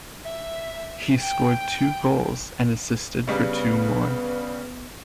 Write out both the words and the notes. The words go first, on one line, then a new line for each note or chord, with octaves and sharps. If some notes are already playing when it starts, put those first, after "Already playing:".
He scored two goals and assisted for two more.
E5
G5
C#3 G3 B3 D4 B4